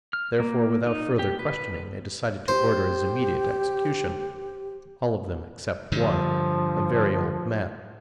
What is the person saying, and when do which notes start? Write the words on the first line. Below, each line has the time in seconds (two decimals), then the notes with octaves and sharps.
Therefore, without further questioning, they decided to order his immediate execution,--all of them except one, a very old man.
0.13 F6
0.40 A#3
0.87 D#4
1.19 G4
1.39 B4
2.48 G4 C5
5.92 G2 D3 F3